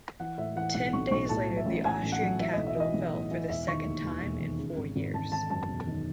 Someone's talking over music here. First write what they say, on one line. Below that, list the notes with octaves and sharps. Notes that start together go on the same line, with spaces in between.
Ten days later, the Austrian capital fell for the second time in four years.
E3 F#5
A2 E5
E3 F#5
B1 F#5
B1 C#6
B1 C#6
A2 A5
F#3
E5
A1
A1 G#5
A1
F#5
F#3
E3 E5
B1 D#5
E5
E3 D#5
B1
A2
E3
E1 E5
D#3 C#6
D#2
D#2
E1
D#3
C#3
G#1
G#1
G#1 A5
G#1 A5
F#2 A5
E1
D#3